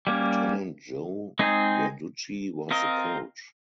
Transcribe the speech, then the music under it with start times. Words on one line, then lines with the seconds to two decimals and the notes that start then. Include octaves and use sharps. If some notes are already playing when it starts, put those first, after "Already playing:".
Lieutenant Joe Verducci was the coach.
0.07 G3 A#3 C#4
1.39 G#3 C4 D#4 G#4
2.71 C4 F4 A#4 D#5